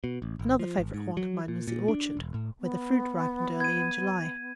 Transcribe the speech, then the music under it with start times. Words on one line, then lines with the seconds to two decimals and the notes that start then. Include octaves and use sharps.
Another favourite haunt of mine was the orchard, where the fruit ripened early in July.
0.04 B2
0.22 A1
0.39 G#1
0.59 F3
0.78 G#1
0.94 G#2
1.17 F#3
1.48 A#2
1.68 A#2
1.88 D4
2.17 E1
2.34 A2
2.61 B3
3.60 G#6 D#7